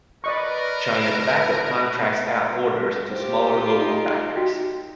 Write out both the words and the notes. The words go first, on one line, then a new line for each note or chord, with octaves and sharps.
China Tobacco contracts out orders to smaller, local factories.
A#4 B4 D5 D#5 C#6
F4 G4 C5
D#4
F#4 G5